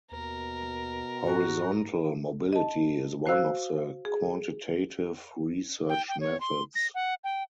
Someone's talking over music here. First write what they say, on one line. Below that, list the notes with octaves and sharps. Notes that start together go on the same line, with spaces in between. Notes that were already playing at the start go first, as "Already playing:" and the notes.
Horizontal mobility is one of the quantitative research methods.
D#2 B2 A#4
G#2 F#4
D#5 A5
F#4 C5 F5 E6 F#6
G#4
G5
G5
C#5
C6
A#6
F#5
G5